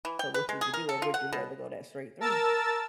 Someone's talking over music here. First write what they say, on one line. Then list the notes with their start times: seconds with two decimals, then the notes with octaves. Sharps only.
So, which would you do, or would you rather go that straight through?
0.05 E3
0.19 G5
0.34 B4
0.49 G#3
0.61 G#4
0.74 A#4
0.89 A4
1.02 F4
1.14 F#5
1.33 B2
2.20 A#4 A5 E6 A6